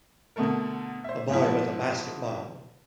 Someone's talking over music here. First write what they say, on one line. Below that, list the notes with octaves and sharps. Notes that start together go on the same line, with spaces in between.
A boy with a basketball.
B2 D3 A3 A4 A#4
C5 E5
G#2 B2 F3 E4